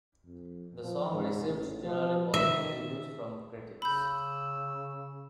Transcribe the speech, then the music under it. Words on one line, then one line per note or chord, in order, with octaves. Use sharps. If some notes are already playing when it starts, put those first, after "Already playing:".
The song received generally positive reviews from critics.
F2
F3
G#2
A1
F3
D#3 E5
C#3 B5 E6 G6